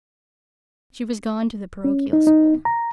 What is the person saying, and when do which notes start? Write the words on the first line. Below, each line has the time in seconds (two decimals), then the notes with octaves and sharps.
She was gone to the parochial school.
1.85 C#4
2.13 D#4
2.27 D#4
2.65 A#5